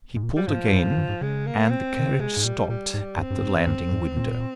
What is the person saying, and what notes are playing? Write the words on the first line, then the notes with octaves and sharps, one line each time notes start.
He pulled again and the carriage stopped at the landing window.
G#2
A#2
G3
G#2 F3
G2
G#2
G2
G#2
C#3 G#3
A#3
C4
D#3
C#3
C3 G#3
G#2
A#2 G3
A#2 G3
G#2
G2 C4
G2
G#2
F2
G2
G#2
A#2